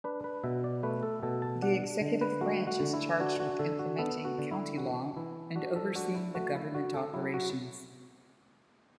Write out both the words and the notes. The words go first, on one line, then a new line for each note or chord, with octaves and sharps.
The executive branch is charged with implementing County law and overseeing the government operations.
D4 B4
B4
B2 E5
D5
A3 B4
A4
B2 A4
A5
D4 F#5
D3
B4
A3 F#4
F#4
D3
E4
D4 F#4
F#4
D3 A4
F#4
B3 A4
F#4
D3
E4
E3 F#4
E3 E4
D4 F#4
A4
D4 F#4
E4
A3 F#4
E4
D3 F#4
A4
F#3 E4
F#4